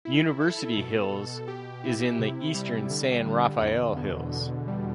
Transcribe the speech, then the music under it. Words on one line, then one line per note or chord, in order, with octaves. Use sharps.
University Hills is in the eastern San Rafael Hills.
E4
A4
B2
B2
G4
E4
C3
G3
D3
D3
E2
B2
D3
G3